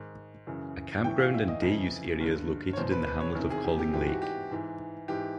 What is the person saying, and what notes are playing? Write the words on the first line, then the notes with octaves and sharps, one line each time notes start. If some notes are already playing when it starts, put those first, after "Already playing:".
A campground and day use area is located in the hamlet of Calling Lake.
Already playing: G#2 D#3
F#2 C#3 E3
A2 E3 G5
F5
E5
D#5
F2 C#3 E3
G2 D3
C#5
E2 B2 C5
B4
B4
C#5
E2 C3 D#3
G#4
G4
G4
G#2 E3 G4
F#4
G4
G#2 E3
G#2 E3 G4